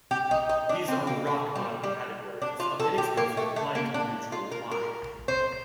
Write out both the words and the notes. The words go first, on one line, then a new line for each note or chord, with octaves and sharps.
These are rock bottom categories of inexpensive, light, neutral wine.
G4
D#4
D#4
D4
C4
A#3
A3
G3
G3
D4
F4
A4
G4
A#3
A3
A3
A#3
D4
F4
A#4
A#4
C5